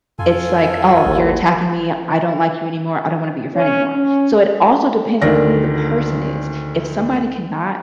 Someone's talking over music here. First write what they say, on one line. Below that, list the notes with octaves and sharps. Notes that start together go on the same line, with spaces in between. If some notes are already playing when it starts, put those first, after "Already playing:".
It's like, "Oh, you're attacking me. I don't like you anymore. I don't wanna be your friend anymore." So, it also depends on who the person is. If somebody cannot
F2 F4 A4 G#5
G#1 D#2 E4 F#5
C#4
C#4
D2 D#3 D5 A#6